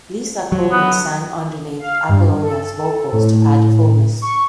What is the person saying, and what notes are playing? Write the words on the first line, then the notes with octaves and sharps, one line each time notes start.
Lisa Coleman sang underneath Apollonia's vocals to add fullness.
F#3
B3
F5
G2
A4
A2
C#6